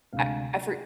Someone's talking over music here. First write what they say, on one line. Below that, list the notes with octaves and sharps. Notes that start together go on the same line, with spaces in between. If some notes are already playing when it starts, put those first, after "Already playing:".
I I for
D2 C3 G#3 D4 F5